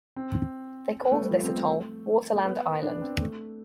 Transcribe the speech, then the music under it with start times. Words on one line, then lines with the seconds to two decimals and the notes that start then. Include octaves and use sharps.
They called this atoll "Waterland Island".
0.16 C4
1.02 B3
1.12 A3
1.21 G3
1.31 F3
1.43 C4
1.55 A3
2.34 A3
2.45 B3
2.83 D4
3.02 C4
3.21 A3